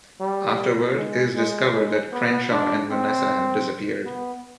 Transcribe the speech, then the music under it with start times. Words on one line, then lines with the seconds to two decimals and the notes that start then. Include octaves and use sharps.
Afterward, it is discovered that Crenshaw and Vanessa have disappeared.
0.20 G3
0.97 G#3
1.36 G#3
1.74 G#3
2.12 B3
2.51 D4
2.90 C4
4.05 B3